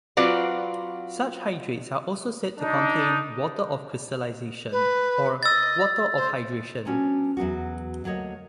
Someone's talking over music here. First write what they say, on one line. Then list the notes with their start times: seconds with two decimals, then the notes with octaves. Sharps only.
Such hydrates are also said to contain "water of crystallization" or "water of hydration".
0.17 F#3 C4 F4 F#4 B4 D5
2.59 D4 D#4
4.72 B4
5.43 D#5 E6 A6
6.16 C5
6.85 F#3 B3 C#4 D4 F#4
7.37 E2 F#3 B3 F#4
8.04 D2 F#3 A#3 C#5 D#5